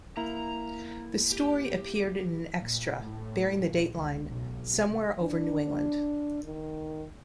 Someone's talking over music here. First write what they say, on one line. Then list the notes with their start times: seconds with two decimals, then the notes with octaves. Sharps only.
The story appeared in an extra bearing the dateline "Somewhere Over New England".
0.17 A#3 E4 A#5
1.32 G4
2.56 A#2
2.98 A2
3.57 A#1
3.94 C#2
4.27 B1
4.69 C3
5.20 D4
6.43 D#3